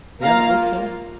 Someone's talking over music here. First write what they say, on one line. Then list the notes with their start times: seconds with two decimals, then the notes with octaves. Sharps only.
Yeah, okay,
0.22 A#3 F4 F5 A#5